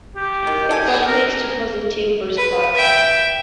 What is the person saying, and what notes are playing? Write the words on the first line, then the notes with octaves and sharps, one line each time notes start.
It got mixed to Positive response.
G4
D#3
A4 D5 G#5
A#4
B4
E5 G5